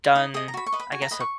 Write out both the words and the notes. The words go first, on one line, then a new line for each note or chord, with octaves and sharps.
done, I guess a
D#4 D#6
G#4 D#5 D#6
A#5
F#4 B5
C#6
B4 D#5
B5
F#4 G#5
A#5
B4 D#5 B5
C#6